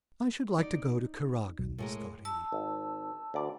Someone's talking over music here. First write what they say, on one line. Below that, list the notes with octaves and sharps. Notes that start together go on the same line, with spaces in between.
"I should like to go to Kuragin's," thought he.
D#4 D5
B1
A2 G#3 A#4
A5 E6
G#1
D2 D5